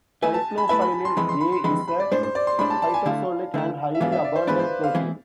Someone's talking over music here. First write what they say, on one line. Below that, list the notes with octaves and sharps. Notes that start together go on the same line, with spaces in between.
Cyclophilin A is a cytosolic and highly abundant protein.
A3 E4 B4 E5 G#5
A5
B5
A3 E4 B4 E5 B5
B5
B5
C6
F2 E3 G#3 B5
C6
B5
C6
F2 E3 G#3 B5
B5
D5
A2 G#3 D4 C5
C5
D5
C6
A2 G#3 D4 B5
A5
A5
G#5
D3 A3 E4 F5
D3 A3 E4
E5
G#2 E3 G#3 B3 D4 F5
E5
D5
C5
G#2 E3 G#3 B3 D4 B4
C5
F5
E3 G#3 C4 E4